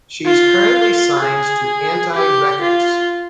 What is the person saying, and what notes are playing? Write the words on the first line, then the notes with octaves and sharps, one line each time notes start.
She is currently signed to Anti Records.
F4
G#4
G4
F4